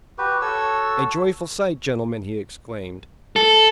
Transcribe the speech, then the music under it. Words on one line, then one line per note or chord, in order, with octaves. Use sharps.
"A joyful sight, gentlemen!" he exclaimed.
F#4 G4 B4
F#4 A4 C#5 E6
A4